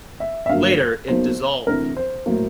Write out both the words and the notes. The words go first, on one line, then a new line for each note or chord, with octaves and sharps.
Later it dissolved.
E5
E5
G2 D3 F#3 A#3 F5
B1 B2 F#3 A#3 D#4 C5
D2 C3 E3 A#4
C5
A2 F#3 A#3